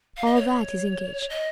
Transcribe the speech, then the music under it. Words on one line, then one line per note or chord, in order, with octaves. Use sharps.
"All that is engaged."
F5
D#5
C#5
D#5